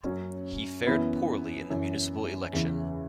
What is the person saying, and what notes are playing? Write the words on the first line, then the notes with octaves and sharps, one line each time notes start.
He fared poorly in the municipal election.
F#2 F#3 C#4
F#2 E3 B3 E4
F#2 E3
E2 C#3 E3